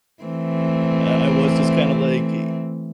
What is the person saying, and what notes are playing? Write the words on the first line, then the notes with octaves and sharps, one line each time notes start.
I I was just kinda like i
E3 A3 C4